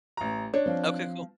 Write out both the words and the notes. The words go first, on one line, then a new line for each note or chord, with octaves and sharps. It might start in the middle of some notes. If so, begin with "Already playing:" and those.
Okay. Cool.
A1 A#5
D4 C#5
F3 C4